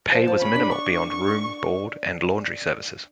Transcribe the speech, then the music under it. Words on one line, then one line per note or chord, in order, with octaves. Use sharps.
Pay was minimal beyond room, board, and laundry services.
F3 A5
F3
C#4 B5
D4
D4 C#6